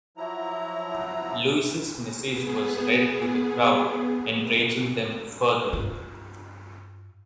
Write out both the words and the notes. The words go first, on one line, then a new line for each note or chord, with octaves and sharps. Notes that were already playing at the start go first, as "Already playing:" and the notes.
Lewis' message was read to the crowd, enraging them further.
F3 F#3 E4 A#5
B3 G#4
G2 F4